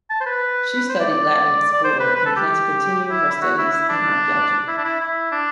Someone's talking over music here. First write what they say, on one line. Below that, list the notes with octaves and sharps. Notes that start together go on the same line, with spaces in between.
She studied Latin at school and planned to continue her studies in archeology.
A5
C5
B4
C5
D5
D5
D5
C5
B4
B4
A4
G4
E4
E4
F#4
E4
E4
D4
E4
D4
E4
E4
D4